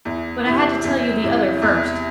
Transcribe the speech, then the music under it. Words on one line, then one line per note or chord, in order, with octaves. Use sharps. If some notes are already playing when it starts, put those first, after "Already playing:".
But I had to tell you the other first.
E2
C3 E3
E2
C3 E3
E2